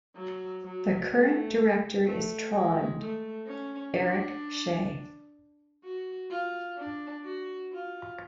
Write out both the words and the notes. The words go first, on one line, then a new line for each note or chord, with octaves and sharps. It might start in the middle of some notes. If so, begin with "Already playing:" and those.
The current director is Trond Eirik Schea.
F#3
F#3
A3
A3
G#3
A3
C#4
D4
F#4
F4
D4
F#4
F4